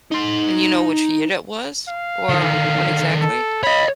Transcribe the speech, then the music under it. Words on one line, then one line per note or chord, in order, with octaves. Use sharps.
And you know which year it was, or when exactly?
D#4 C6
F5
D3 D#3
A4
C#5 D#5 B5